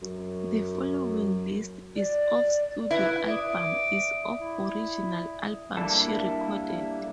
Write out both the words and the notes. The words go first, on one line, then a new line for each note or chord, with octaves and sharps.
The following list is of studio albums is of original albums she recorded.
F#2
D5
E4 B4
D5 E5 D6 D#6
E4
G3 A#3 D4 E4 A4